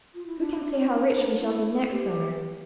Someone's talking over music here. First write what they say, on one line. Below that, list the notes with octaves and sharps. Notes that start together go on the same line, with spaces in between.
Who can say how rich we shall be next summer?
F4
E4
D4
C4
D4
D4
E4
A4
G4